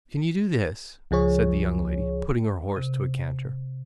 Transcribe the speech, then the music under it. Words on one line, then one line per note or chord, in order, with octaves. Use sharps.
"Can you do this?" said the young lady, putting her horse to a canter.
C#2 F3 G#4 C#5
C3